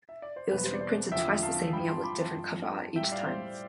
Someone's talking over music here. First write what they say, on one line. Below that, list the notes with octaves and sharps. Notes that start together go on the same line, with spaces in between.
It was re-printed twice the same year with different cover art each time.
E5
D5
C5
E2 B2 G3 B4
C5
D5
C5
E2 D3 F3 E5 G5
F5 A5
G2 F3 G5 B5
A5 C6
B5 D6
A5 C6
G2 F3
A2 G3 E5 G5
D5 F5
C5